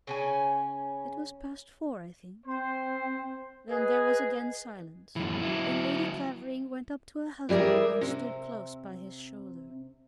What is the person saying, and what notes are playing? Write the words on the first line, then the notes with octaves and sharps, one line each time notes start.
"It was past four, I think." Then there was again silence, and Lady Clavering went up to her husband and stood close by his shoulder.
C#3 C#4 G#5
C4 C5
G#4 B4 D#5
F#2 E3
F#3 E4
E3 G3 G#4 A#4 E5
C3